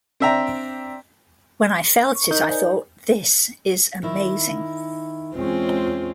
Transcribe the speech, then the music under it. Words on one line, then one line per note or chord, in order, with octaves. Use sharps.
When I felt it, I thought 'This is amazing.
C4 D4 E5 G5 A#5
C#6
D#4 A#4 D#5 G6
C5 D5 G#5
D#3 E4
E2 G#3 C4 C#4 F4